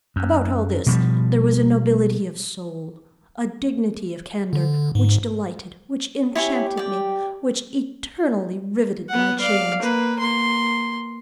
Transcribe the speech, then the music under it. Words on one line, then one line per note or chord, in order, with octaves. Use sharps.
About all this there was a nobility of soul--a dignity of candor--which delighted--which enchanted me--which eternally riveted my chains.
F#2
B2 F3 G3
D3
G#2
E4 G4 C#5 G#5
D5 G5
B3 F#5
D5 F5
A#3 B4
A#3 C6